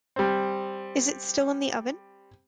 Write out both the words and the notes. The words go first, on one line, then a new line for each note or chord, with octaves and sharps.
Is it still in the oven?
G3 C4